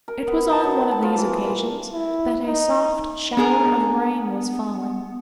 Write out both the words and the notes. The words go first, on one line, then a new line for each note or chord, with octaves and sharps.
It was on one of these occasions that a soft shower of rain was falling.
A#4
B3
A5
F#3
A5
F3
E3
A#2
E4
D#4
B3 D4 G#4 A#4